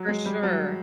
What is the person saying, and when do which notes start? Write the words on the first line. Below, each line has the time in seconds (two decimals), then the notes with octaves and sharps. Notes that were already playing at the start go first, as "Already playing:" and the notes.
For sure.
Already playing: F#3
0.08 G#3
0.26 G3
0.43 F#3